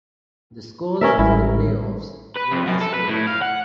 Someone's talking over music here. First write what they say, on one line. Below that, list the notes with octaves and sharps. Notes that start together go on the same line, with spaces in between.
The scores for the playoffs were as follows.
C#4 A#4 B4 E5
A1 G3 G#3 E4
B4
F2
F#2
A4
B4
A2
F5
F#5